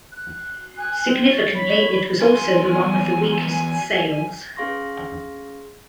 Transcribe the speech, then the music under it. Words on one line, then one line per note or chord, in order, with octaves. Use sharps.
Significantly, it was also the one with the weakest sales.
F#6
G#5 F#6
C4
C#5 A6
B5
E2 G#5 C6
C#4 G#4 F5 C6 C#6 A#6